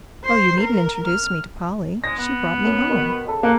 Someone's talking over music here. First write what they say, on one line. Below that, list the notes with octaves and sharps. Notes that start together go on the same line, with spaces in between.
"Oh, you needn't introduce me to Polly--she brought me home!"
C5 C7
A#4
F6
G#3 A#6
B3
F#2
B2 D#3 B5
C#3 A4 A5
A#3 F#5